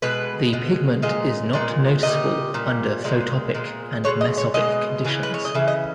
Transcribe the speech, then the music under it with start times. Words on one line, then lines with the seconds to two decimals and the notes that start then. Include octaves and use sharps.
The pigment is not noticeable under photopic and mesopic conditions.
0.02 B2 G#3 B4
0.53 B2 G#3
1.02 A#2 G#3 D#5
1.53 A#2 G#3
2.03 A#2 G3 D#5
2.54 A#2 G3
3.04 A#2 G#3
3.54 A#2 G#3
4.04 B2 G#3 C#5
4.21 D#5
4.37 C#5
4.54 B2 G#3 D#5
5.04 C#3 E3 G#3
5.23 B4
5.34 C#5
5.45 D#5
5.55 C#3 E3 E5
5.68 D#5